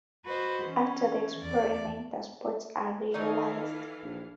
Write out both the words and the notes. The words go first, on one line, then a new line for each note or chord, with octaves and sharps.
After the experiment, the spots are visualized.
F#4 B4 C5 D#5
E3 C#4
E2 D5
D#3 E3 D#4 A4 C#5 D#5 F5
A#1